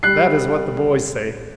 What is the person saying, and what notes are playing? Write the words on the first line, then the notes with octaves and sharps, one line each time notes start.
That is what the boys say.
G3 F#6 C7